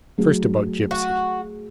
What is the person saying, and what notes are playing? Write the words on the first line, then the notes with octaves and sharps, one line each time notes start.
First about Gypsy.
F#3 A3 G#4
F#4